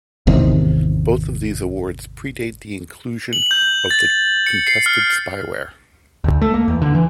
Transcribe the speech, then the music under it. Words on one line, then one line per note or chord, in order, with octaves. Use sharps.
Both of these awards predate the inclusion of the contested spyware.
G#1 E2 C3 D#3
F#7
G6
A6
C#7
C7
F6
D2
A3
A#3
E2
D3
E3